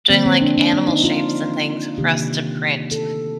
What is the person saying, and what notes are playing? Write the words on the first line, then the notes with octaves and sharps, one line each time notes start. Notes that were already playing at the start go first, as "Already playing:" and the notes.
doing, like, animal shapes and things for us to print
D3 F3 A#3 C4
C4
D4
D4
D4
D#4
F4
C3 D#3 A#3 G4
A4